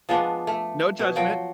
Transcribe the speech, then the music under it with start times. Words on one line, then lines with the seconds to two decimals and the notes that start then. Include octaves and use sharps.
No judgment.
0.09 F3 G#3 B3 D4
0.47 A3
0.99 B2
1.16 F3 F#3 G5